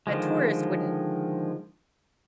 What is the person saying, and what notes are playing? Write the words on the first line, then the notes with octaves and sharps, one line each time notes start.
a tourist wouldn't
D3 D#3 F3 G#3